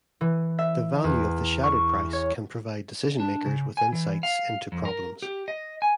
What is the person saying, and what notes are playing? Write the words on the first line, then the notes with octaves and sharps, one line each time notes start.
The value of the shadow price can provide decision-makers with insights into problems.
E3
E5
E2
C#6
C#5
D4
C#3
G#5
E3
F5
F2
A#4
G4
D#5
G#5